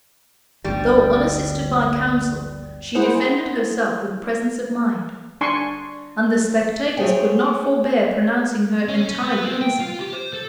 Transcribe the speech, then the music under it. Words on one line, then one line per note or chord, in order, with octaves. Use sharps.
Though unassisted by counsel, she defended herself with presence of mind; and the spectators could not forbear pronouncing her entirely innocent.
G1 D2 G3
E4 G#4 C5 F#5
D4 G#5 C6 C#6
A3 G#4 C5 C#5 G5 G#5
C#4
C#4
B3
C4
G5
F4
G4
C5
A4